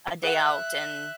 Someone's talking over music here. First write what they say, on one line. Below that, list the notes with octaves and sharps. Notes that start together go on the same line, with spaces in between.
a day out, and
G#4 E5 F#5 F#6